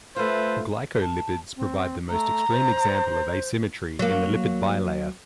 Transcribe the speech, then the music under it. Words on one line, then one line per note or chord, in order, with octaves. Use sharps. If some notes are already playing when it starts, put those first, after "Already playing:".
Glycolipids provide the most extreme example of asymmetry in the lipid bilayer.
A3 F4 A4 B4 C5
A5
C4
A3 A#5
C5
F#3 A#3